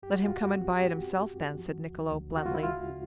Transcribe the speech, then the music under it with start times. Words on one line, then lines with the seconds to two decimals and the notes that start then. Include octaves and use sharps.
"Let him come and buy it himself, then," said Niccolo, bluntly.
0.03 F#2 G4
0.13 F#4
0.25 F#2 F4
0.36 F#4
0.55 C4
0.76 G4
0.80 G#3 F#4
1.08 C4
1.34 F#2
1.59 F3
1.86 D2
2.11 D2
2.37 C#3 F#4
2.46 F4
2.55 E4
2.63 G#3 F4
2.90 C#3